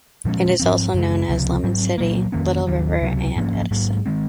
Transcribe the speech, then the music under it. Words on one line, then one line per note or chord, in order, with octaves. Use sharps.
It is also known as Lemon City, Little River and Edison.
A#2 F3 G#3 C#4
G#2 F3 C4
F#2 C#3 G#3
C#2 C3 F3
G#2 F#3 C4
A#2 F#3 A#3
F2 D#3 A#3 C#4
D#2 D#3 F#3
C#2 C3 F#3
G#2 F3 A#3 C#4
G#2 F#3 A#3
D#3 G#3 C4